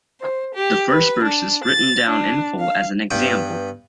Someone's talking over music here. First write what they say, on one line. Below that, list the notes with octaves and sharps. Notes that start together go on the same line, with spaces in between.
The first verse is written down in full as an example.
C5
G4
B4
D4
A6
D4
F5
G2 B3 G5